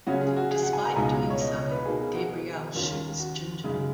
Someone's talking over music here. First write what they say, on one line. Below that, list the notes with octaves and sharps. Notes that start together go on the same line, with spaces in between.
Despite doing so, Gabriel shoots Ginger.
C#3 F#3 C#4 F4 F#4
G#4
F#4
G#4
F#5
G#5
A#5
C#2 B2 G#3 D#4 G#5
C#5
D#5
C#5
B4
B2 A#3 D#4 G#4
G#4
F#4
G#4
D#2 D#3 A#3 C#4 F4
F#4
F#2 C#3 G#3 D#4